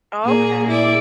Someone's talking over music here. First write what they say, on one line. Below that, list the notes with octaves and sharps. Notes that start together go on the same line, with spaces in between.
Oh, okay.
A#2 A#3 G#4
E4 D5